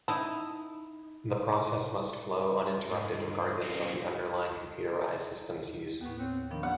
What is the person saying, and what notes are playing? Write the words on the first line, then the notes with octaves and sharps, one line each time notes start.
The process must flow uninterrupted regardless of the underlying computerized systems used.
D#4 E4 G#5 A5
G#2
G2
F#3 C#4 F4
D#2 A2 B3
C4 C#5 F#6
D#3 F3 B3 D4
B3 G4 F5 F#5